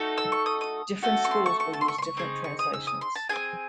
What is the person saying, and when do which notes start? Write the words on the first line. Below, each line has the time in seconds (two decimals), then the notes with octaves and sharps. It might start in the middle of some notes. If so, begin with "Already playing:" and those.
Different schools will use different translations.
Already playing: A3 D#4 F#4 A4
0.18 E6
0.32 C#6
0.46 D#6
0.61 D#6
1.03 A3 C#4 F#4 A4
1.25 C#6
1.31 C6
1.46 C#6
1.60 C#6
1.73 A5
1.81 C6
1.88 C#6
1.98 C6
2.02 C#6
2.17 C4 D#4 G#4
2.44 C#6
2.59 D#6
2.74 E6
2.87 D#6
3.01 C6
3.15 A5
3.29 C4 D#4 G#4 G#5